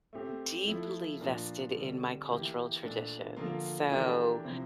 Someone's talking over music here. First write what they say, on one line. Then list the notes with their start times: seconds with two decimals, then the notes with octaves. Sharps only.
deeply vested in my cultural traditions. S o,
0.13 A3 C4 G4
0.67 F3 A3 E4
1.20 A#2 F3 A#3 D4 F4
1.74 D3 G3 C4
2.28 E3 A#3 E4 G4
2.82 A#2 A3 D4
3.36 D3 F3 A#3 F4
3.90 E3 A3 D4 G4 A#4
4.44 C3 F3 C4 E4